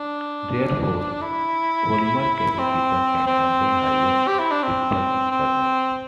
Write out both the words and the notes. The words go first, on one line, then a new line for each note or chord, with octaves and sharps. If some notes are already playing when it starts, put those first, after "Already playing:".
Therefore, polymer capacitors can handle higher ripple current.
Already playing: D4
E4
C4
C4
G4
E4
D4
C4
C4